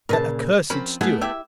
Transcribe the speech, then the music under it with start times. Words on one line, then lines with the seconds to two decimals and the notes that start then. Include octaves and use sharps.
That accursed steward!
0.09 A#2 C#3 A#4 B4 A5
0.70 F3 C4 C#4 A#4 B5
1.01 A3 B3 E4 G#4 F#5
1.21 E4 G4 E5